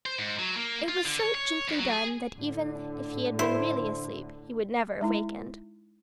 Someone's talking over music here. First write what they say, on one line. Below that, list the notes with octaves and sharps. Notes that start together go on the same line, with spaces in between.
It was so gently done that even if he had been really asleep, he would never have wakened.
C5
G#2
F#3
A#3
F4
D3
C#5
C#5
F2
F#3
G#4
A2 D3
E4 C5
G#3 D#4 E4